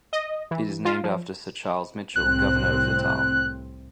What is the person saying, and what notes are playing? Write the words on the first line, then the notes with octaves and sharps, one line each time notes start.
It is named after Sir Charles Mitchell, governor of Natal.
D#5
E3
F4
F3
C2 A2 C4 F#6